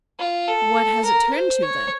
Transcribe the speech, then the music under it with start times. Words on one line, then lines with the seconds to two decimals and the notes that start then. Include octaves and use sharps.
"What has it turned to, then?"
0.19 F4
0.48 A4
1.05 A#4
1.34 C5
1.63 C#5